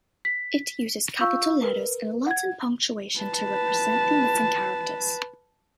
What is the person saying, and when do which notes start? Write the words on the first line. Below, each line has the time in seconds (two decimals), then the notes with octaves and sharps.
It uses capital letters and Latin punctuation to represent the missing characters.
0.25 B6
1.21 F4 F5 C#6 E6 G6
1.62 A#4 B4
2.26 F#5 G#6
3.19 B4 A5